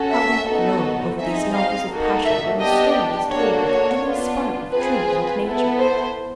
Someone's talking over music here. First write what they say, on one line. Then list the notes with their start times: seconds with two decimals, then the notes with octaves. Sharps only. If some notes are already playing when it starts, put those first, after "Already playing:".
How we glow over these novels of passion, when the story is told with any spark of truth and nature!
Already playing: C#4 F#4 A4
0.12 E5
0.47 B3 D#4 F#4 A4
1.18 C4 D#4 G#4 E5
1.53 F5
1.89 A#3 D#4 F#4 A4
2.25 E5
2.60 B3 D4 G4 D#5
3.30 A#3 D4 F#4 A4 C#5
3.66 C#5
4.01 B3 D4 F4
4.72 C4 F4 G#4 B4
5.07 B4
5.43 B3 E4 A4
5.78 C5